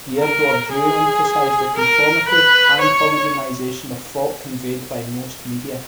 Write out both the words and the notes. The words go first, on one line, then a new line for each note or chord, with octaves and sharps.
Pierre Bourdieu emphasized the conformity and homogenization of thought conveyed by most media.
A#4
G#4
A#4
B4
C#5